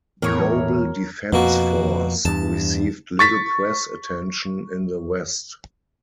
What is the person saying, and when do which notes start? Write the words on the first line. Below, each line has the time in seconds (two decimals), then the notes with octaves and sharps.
"Global Defence Force" received little press attention in the West.
0.22 E2 A2 A#4 C#5
1.33 F2 B2 A#3 F#4
2.25 E2 G2 A5
3.19 C#6 A6 B6